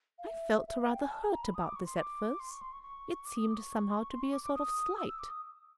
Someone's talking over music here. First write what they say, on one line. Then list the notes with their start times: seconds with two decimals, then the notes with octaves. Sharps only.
I felt rather hurt about this at first; it seemed somehow to be a sort of slight.
0.18 F5
0.25 E5
0.68 E5
0.80 F5
0.90 G5
1.01 G#5
1.11 A5
1.22 A#5
1.33 A#5
1.43 B5
1.54 D#6
1.65 D6
1.76 C#6
1.86 C6
1.97 D6
2.39 C6
2.50 C#6
2.62 C6
2.72 C#6
2.83 C#6
3.25 D6
3.36 D#6
3.47 D6
3.58 C#6
4.11 C6
4.22 C#6
4.33 D6
4.44 D6
4.55 D#6
4.97 E6
5.08 E6
5.19 D6
5.29 D#6